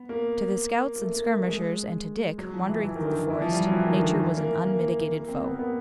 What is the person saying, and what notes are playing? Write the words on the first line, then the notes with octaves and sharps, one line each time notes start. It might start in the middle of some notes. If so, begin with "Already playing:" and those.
To the scouts and skirmishers and to Dick, wandering through the forest, nature was an unmitigated foe.
Already playing: B3
A#3
A#3
A3
A#3
A3
G#3
F#3
F3
E3
E3
D#3
D3
D#3
D#3
E3
F3
G3
F#3
F3
E3
D#3
D3
D#3
E3
A#3
A#3
A#3
A#3
C4
B3
A#3
B3